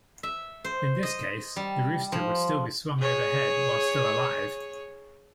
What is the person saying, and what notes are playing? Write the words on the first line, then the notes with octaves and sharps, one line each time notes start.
In this case, the rooster would be swung overhead while still alive.
E5
C5
D#5
G3
F3
G#4 C#5